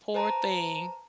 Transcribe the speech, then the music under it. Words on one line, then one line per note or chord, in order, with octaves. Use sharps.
Poor thing,
B4 C5 A5 A#5